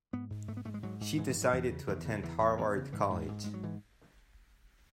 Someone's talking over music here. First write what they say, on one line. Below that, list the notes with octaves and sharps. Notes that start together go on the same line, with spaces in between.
She decided to attend Harvard college.
G#2 B3
G#2
G#2 A3
B3
G#2 A3
G#3
G#2 F#3
G#2
G#2 E3
E3
G#2
F#3
E2 E3
C#3
E2 D#3
C#3
E2 E3
E2
E2 D#3
C#3
G#2 E3
G#2
G#2
G#2 G#3
F#3
G#2 E3